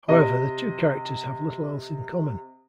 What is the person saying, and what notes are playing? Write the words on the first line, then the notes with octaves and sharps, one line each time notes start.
However, the two characters have little else in common.
C3 D#5